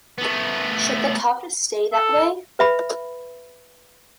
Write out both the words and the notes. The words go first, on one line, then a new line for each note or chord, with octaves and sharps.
Should the tuft stay that way?
A3 B3
A4
B4 E5 B5